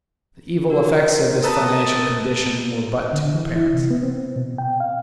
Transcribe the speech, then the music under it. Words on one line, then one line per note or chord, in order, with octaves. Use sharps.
The evil effects of this financial condition were but too apparent.
F#4 A#4
A4 B4 A5 A#5 D#6
D3
E3
E4
C3
B3
C4
B2
G5
F5